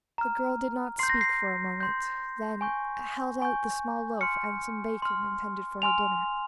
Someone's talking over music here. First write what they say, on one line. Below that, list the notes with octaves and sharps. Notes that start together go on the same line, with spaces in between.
The girl did not speak for a moment, then held out the small loaf and some bacon intended for her dinner.
A#5 F6
C6 G6 C7
A#6
C7
C6 G6
G#5 C#6 G6
G#5 C#6 G6
C6 F6 C#7
C6 F6
G#5 C6 F6 F7